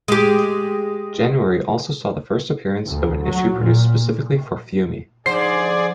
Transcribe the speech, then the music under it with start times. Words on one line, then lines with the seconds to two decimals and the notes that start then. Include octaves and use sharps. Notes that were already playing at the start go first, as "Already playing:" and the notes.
January also saw the first appearance of an issue produced specifically for Fiume.
0.08 G#3 G4
2.85 D2
3.22 F#3
3.55 A#2
5.26 D3 F3 D#4 G#4 C5 D5 C7